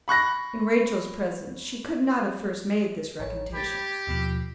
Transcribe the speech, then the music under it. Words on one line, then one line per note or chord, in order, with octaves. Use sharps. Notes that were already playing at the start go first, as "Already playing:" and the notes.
In Rachel's presence she could not have first made this recantation.
B5 C#6 F#6 A#6
A1 C#5
G4 B5 G#6 A6
D#2 B2 F3